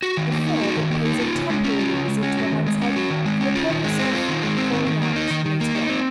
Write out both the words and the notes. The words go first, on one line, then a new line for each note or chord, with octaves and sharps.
The fur that pays a temporary visit to a man's head for the purpose of falling out later on.
F#4
D#3
A#3
D#4
F#4
D#3
A#3
D#4
F4
C#3
G#3
C#4
F4
C#3
G#3
C#4
F#4
D#3
G#3
C#4
F#4
D#3
G#3
C#4
F4
D#3
G#3
C4
F4
D#3
G#3
C4
D#3
D#3
A#3
D#4
D#3
D#3
A#3
D#4
C4